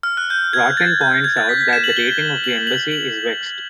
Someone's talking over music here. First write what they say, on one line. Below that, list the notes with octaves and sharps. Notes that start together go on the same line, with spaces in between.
Broughton points out that the dating of the embassy is vexed.
F6
F#6
G6
G#6
A6
G6
G#6
A6
B6
B6
E7
F#7
G7
G7
G7
F#7
F#7
F#7